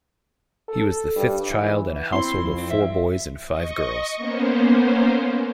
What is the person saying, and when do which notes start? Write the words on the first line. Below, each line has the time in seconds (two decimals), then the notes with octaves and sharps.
He was the fifth child in a household of four boys and five girls.
0.68 A4
1.16 G2
1.50 E3
2.13 C4 E4 C6
2.38 F2
2.57 C4
2.70 E5
3.47 D#5 C#6
4.16 A#3 B3 C#4 C5